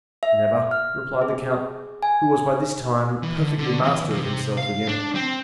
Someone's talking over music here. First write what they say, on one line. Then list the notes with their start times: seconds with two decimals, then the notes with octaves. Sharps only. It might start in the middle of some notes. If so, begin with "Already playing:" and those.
"Never," replied the count, who was by this time perfectly master of himself again.
0.23 E5
0.71 F6
1.22 G#4
2.03 G#5
3.23 E3
3.37 D3
3.58 D3
3.83 E3
4.11 C3
4.58 F5
4.89 D4
5.15 C4